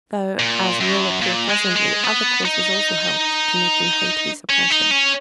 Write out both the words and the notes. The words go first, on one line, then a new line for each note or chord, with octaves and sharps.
Though, as will appear presently, other causes also helped to make him hate his oppression.
A#2
F#2
A#2
G#3
G#3
B3
D#4
C#4
D#4
C#4